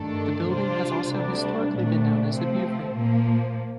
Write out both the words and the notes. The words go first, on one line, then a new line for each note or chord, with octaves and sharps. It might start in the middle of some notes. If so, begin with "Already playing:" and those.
The building has also historically been known as The Beaufort.
Already playing: G2 D#3 A3 D4 A4
C3 G3 D4 F4 C5
D2 C3 G3 D4
C2 A#2 A3 D4
C3 F3 A3 C4
A#2 F3 A#3